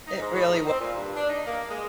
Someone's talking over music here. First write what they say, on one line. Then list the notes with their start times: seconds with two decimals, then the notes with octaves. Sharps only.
It really was.
0.07 D#4
0.20 G#2
0.33 A2
0.52 D#4
0.66 C4
0.79 A#2
0.96 G2
1.15 D4
1.29 D#4
1.46 A#3
1.69 G#3